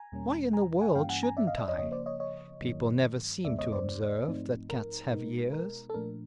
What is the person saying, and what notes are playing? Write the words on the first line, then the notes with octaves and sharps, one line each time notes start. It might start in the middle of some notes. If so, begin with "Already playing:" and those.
Why in the world shouldn't I! People never seem to observe that cats have ears.
Already playing: G#5 A#5
E2 B2 G3 A#3 C#4
G#5 A#5
F#5 G#5
G2 E3 G3 A#3 C#4 F5 G5
F#5 G#5
G#5 A#5
D5 E5
D#5 F5
D5 E5
C#5 D#5
C#3 F3 A#3 C#5 D#5
C5 D5
C#5 D#5
C#5 D#5
G2 D#3 F#3 A#3
E2 C#3 E3 G#3 B3 D5 E5
C#5 D#5
C5 D5
G#2 F3 A3 C4 D#4
A#4
B2 G#3 B3 D#4
A#4
A4
A#2 F3 A3 D4 A#4